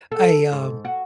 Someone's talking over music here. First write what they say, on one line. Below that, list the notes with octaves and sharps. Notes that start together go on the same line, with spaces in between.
I, um,
A4
G#2
F#4